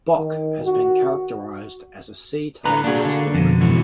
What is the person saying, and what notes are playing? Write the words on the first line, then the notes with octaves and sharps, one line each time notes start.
"Bok" has been characterized as a C-type asteroid.
D#3
F#4
A2 D3 B4 A#5
A#3 D4 F#4 G#4
D3
F2 B2
G#2 E3 F#4